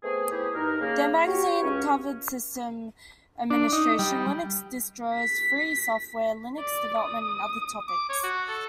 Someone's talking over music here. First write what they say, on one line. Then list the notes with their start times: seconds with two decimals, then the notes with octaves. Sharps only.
Their magazine covered system administration, Linux distros, free software, Linux development and other topics.
0.03 A3 B3 C4 G#4
0.31 A3 B3 C4 E4 G4 G#4
0.55 G2 D#4 A#4
0.81 C#3 A#3
1.27 F#4 G4 C#5
1.63 C#2 C#4
3.50 D4
3.73 D#4
3.99 G3
5.14 B6
6.59 D5
6.98 D#6
7.88 D6
8.09 C#5
8.24 F#4
8.48 A4